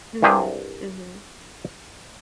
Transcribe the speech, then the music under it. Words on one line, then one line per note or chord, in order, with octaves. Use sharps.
Mhm, mhm.
C2 G2 C3 G4 G#4 G#5